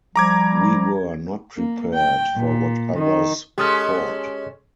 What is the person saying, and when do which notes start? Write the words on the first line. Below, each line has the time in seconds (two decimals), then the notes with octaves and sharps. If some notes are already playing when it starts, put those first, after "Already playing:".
We were not prepared for what others thought.
0.16 F3 G3 A#5 D6 G#6
1.57 A#3
1.94 G5
2.37 A#2
2.97 D#3
3.58 G#3 C#4 G4 A4 D#6 F6